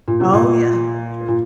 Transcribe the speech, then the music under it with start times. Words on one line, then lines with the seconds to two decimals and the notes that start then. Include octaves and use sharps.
Oh yeah, true.
0.08 A#2
0.20 C3
0.33 A#2
1.28 A#2